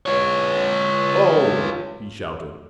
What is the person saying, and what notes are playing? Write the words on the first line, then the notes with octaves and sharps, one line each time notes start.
"Oh!" he shouted.
F4 C#5